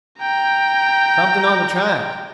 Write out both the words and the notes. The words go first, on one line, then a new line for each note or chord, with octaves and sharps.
Something on the track.
G5 A#5